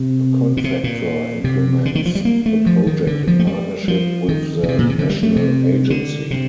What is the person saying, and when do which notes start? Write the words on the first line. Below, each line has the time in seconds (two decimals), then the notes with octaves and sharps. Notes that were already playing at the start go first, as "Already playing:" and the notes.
A contractor implements the project in partnership with the national agency.
Already playing: C3
0.57 A#2
0.64 C3
0.84 A#2
1.44 C3
1.85 D3
1.95 D#3
2.05 F3
2.15 G3
2.25 A#3
2.46 A3
2.66 F3
2.87 D#3
3.07 D3
3.27 F3
3.39 A3
3.47 G3
3.88 F3
4.29 D#3
4.63 D3
4.68 C3
4.79 A#2
4.89 C3
4.99 D3
5.10 G3
5.23 A3
5.36 C3
5.90 D3
6.31 C3